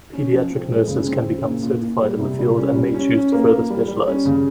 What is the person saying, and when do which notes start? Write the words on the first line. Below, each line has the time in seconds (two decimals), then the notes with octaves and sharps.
Pediatric nurses can become certified in the field and may choose to further specialize.
0.13 C#4
0.32 F3
0.50 C4
0.70 G#3
0.87 C#3
1.06 C4
1.26 C#3
1.45 A#2
1.63 A#2
1.82 A#2
2.01 G3
2.19 C3
2.39 G3
2.57 C#4
2.75 G3
2.94 C#4
3.13 C#4
3.32 A#3
3.51 A#3
3.70 G3
3.88 G3
4.07 C#4
4.25 C#3